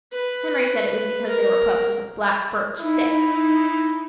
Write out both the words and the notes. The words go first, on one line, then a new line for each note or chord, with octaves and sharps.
Henry said it was because they were poked with a black-birch stick.
B4
A#4
D#4 E4